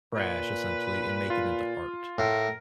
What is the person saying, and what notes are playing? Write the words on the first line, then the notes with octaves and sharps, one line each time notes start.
trash essentially, and make it into art
A#2 B4
F4
A2 A#4